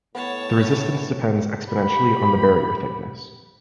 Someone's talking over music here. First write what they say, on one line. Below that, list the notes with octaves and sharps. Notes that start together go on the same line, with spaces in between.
The resistance depends exponentially on the barrier thickness.
A2 B3 C#5 A5
G4 B5